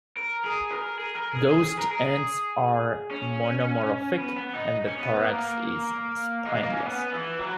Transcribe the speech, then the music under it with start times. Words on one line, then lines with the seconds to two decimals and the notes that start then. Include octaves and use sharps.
Ghost ants are monomorphic and the thorax is spineless.
0.17 A#4
0.44 G#4
0.71 A#4
0.98 G#4
1.15 A#4
1.32 G#4
1.52 G#4
1.64 G#4
1.78 A#4
1.91 G#4
3.11 C#4
4.18 B3
4.37 B3
4.55 D#4
4.88 C#4
4.99 B3
5.25 A#3
6.46 G#3
6.59 A#3
6.72 C#4
6.86 B3
7.13 E3
7.39 F#3